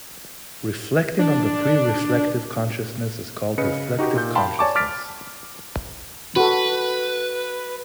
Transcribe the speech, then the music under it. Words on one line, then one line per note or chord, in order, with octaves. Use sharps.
Reflecting on the pre-reflective consciousness is called "reflective" consciousness.
D4
C#3 B4 D#5 C#7
D#4 F#4 G4
A#2 G6
F5 G5 A5 B5 C6
C#5 D5 G#5 A5 C#6 D6
D6 F6 A6 B6 D7
F#4 A4 B4